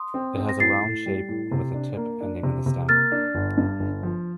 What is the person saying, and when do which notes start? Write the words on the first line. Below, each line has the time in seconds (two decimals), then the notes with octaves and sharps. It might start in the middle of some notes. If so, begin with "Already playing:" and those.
It has a round shape with a tip ending in the stem.
Already playing: C6 D#6
0.14 C4
0.37 C4
0.49 A#6
0.60 A2 A6 C7
0.83 A2
1.06 G3
1.29 A2
1.51 C3
1.74 D4
1.97 A#3
2.21 D4
2.43 C3
2.66 C3
2.89 A#3 F6 A6
3.12 D4
3.34 G1
3.57 G2
3.80 G1
4.03 F3